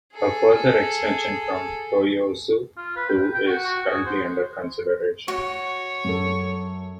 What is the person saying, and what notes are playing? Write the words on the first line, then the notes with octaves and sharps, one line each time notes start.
A further extension from Toyosu to is currently under consideration.
G#4 A4
F4
B4
G5
G5
F#4
F#4
G#4
C5
F#4 C#5
F#2 A4